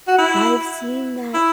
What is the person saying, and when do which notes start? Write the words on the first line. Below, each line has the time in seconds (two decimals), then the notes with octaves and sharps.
I've seen that.
0.07 F#4
0.18 E4
1.34 E4